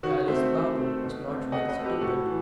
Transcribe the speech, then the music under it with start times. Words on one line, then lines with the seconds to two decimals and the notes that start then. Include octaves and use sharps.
Kailas Babu was not really stupid.
0.03 D#3 F#4
0.28 A3 C4 C5 E5
0.53 D#3
0.78 A3 C4
1.02 B2
1.28 A3 C4
1.52 B2 D#5 F#5
1.68 B4 D#5
1.77 A3 C4 A4
1.85 G4 B4
2.01 A2 F#4 A4
2.26 E3